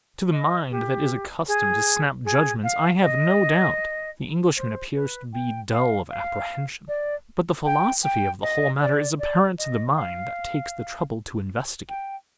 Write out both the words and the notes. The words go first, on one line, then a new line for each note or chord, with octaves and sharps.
To the mind that is accustomed to snap judgments I have no doubt the Englishman appears to be dull of apprehension, but the philosophy of the whole matter is apparent to the mind that takes the trouble to investigate.
D#5
G4
G#4
G#4
F5
D#5
C5
B4
G5
F5
F5
D5
G5
G5
D#5
D5
D5
D#5
F5
G5